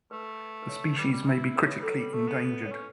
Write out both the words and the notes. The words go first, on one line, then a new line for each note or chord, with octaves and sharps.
The species may be critically endangered.
A3 B4
B4
C#5
G3 B4
G3
E4
B4
C#5
B4
F#3 G3 A4
B4
G3
A3 A4
B3
C#5
C#4 B4